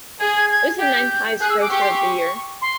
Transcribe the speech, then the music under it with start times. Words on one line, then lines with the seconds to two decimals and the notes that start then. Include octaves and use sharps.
It was the ninth highest grosser of the year.
0.20 G#4 G#6
0.34 G#6
0.50 G#6
0.80 G4 G6
1.41 G#4 F#6
1.50 E6
1.61 D6
1.70 G4 C#6
1.81 C6
1.90 C#6
2.61 C6